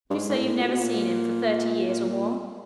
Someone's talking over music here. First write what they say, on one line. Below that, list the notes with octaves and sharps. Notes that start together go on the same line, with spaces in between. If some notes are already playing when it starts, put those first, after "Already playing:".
You say you've never seen him for thirty years, or more?
G2
G#2
G#2
A2
A#2
B2
A#2
A#2
A#2